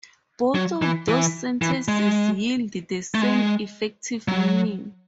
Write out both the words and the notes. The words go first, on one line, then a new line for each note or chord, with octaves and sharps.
Both of these sentences yield the same effective meaning.
F#3
E3
E3
E3
G#3
A3
G#3
F#3